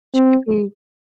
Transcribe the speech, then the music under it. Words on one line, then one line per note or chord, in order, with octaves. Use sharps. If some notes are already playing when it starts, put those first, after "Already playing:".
She could be
C4